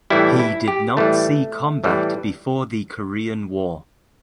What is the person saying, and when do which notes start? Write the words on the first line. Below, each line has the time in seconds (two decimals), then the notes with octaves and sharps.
He did not see combat before the Korean War.
0.10 A2 E3 G3 E4
0.39 E4
0.68 G4
0.97 A2 E3 G3 A3
1.84 A2 E3 G3